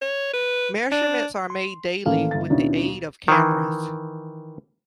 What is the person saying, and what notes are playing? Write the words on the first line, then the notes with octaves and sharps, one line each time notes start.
Measurements are made daily with the aid of cameras.
C#5
B4
D4
C6
A1 D#3 A#3 C#4 A4 F5
G1 A6
D#2 B2 C#4 D4 E4
D#3 E3